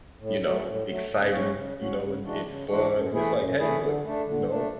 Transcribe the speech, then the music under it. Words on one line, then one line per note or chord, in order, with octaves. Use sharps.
you know, exciting, you know, and, and fun, and it's, like, "Hey, look, you know,
A2
F#3 A3
A2
F#3 A3
C#3
F#3 C#4 F#4
C#3
F#3 C#4 F#4
C#3
E3 G#3 D4 F#4
C#3
E3 G#3 D4 F#4
F#2
E3 A3 E4 G#4
F#2
E3 A3 E4 G#4
D3
A3 D4
D3
A3 D4